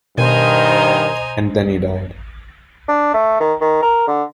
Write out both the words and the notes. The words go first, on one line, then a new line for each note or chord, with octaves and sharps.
And then he died.
G2 B2 D#3 C5 D#5 G#5 A#5
D4
A3
D#3
D#3
A#4
D3